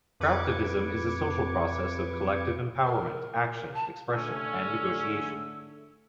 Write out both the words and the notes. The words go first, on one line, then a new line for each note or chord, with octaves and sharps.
Craftivism is a social process of collective empowerment, action, expression and negotiation.
F2 B4 D6 G#6 C#7
A#4
A5
D3 A3 C#4 E6